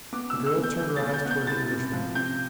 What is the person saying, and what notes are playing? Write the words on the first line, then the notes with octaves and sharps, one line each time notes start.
The girl turned her eyes toward the Englishman.
B3 D6
E6
B2
E6
B2
G6
G3 G6
A6
B2
G6
B3
G6
C2 A6
C3
F3
C3 G6